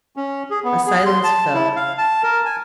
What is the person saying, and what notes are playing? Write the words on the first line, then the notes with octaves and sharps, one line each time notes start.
A silence fell.
C#4
G#4
B3
G#4
C6
A5
E4
F5
A5
A#4
G#5